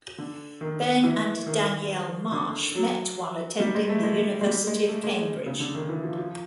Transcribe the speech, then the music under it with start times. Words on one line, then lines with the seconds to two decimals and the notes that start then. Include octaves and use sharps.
Ben and Danielle Marsh met while attending the University of Cambridge.
0.18 D3
0.61 D#3
1.04 E3
1.46 D#3
2.32 D3
2.75 F#3
3.60 G3
3.75 G#3
3.89 A3
4.03 G#3
4.41 G#3
4.46 G3
4.67 G#3
4.89 A3
5.03 G#3
5.18 G#3
5.46 C#3
5.60 D3
5.75 D#3
5.89 E3
6.03 F3
6.17 F3